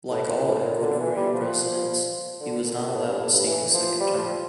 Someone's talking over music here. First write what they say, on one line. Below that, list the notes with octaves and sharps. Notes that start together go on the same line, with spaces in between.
Like all Ecuadorian presidents, he was not allowed to seek a second term.
A2
A#2
A2
A#2
D3
E3
G3
F3
D3
A#2
A2
G2
A2
G2
E3
F3
G3
F3